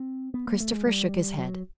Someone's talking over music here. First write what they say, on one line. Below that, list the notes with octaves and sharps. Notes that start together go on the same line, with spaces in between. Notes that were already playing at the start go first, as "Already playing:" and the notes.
Christopher shook his head.
Already playing: C4
B3
A#3
A3
G#3
G3
F#3